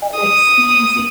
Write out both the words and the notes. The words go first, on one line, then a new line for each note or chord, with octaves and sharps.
like, skeezy.
D#6